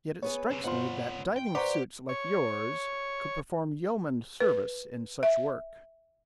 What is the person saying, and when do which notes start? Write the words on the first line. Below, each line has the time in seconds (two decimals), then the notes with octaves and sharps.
"Yet it strikes me that diving suits like yours could perform yeoman service in such work."
0.23 B3 G#4 B4 C#5
0.51 F#2 C3
0.64 G1 C4 F4 C5 F#5 C6
1.36 G5
1.55 G4 B4 C5 D5 F#5 A#5 C6 C#6
2.09 C#5
4.40 B4
5.23 E5